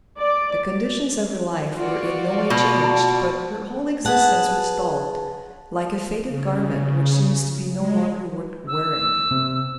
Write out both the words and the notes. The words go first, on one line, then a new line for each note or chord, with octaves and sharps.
The conditions of her life were in no way changed, but her whole existence was dulled, like a faded garment which seems to be no longer worth wearing.
D5
F4 F#4 D5
B2
A5
G#4 B4 F#5 A5
C#3
G#3
E6
C3 C4